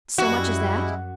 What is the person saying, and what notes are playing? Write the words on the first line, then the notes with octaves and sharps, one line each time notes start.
"So much as that?"
F#2 G3 G#3 E4 F#4